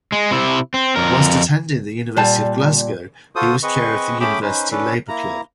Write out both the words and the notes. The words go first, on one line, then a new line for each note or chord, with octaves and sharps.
Whilst attending the University of Glasgow he was Chair of the University Labour Club.
G#3
C3 E4
C4
F2 A#4
A#2 G3 A5
F4 F#4 A4 C5 D#6
C4 G#4 B4 D#5 C#6
A3 C#4 G#4 G5 B5 D6
C#4 D#4 B4 C5
C#4 D4 A4 B4
A#3 E4 A#5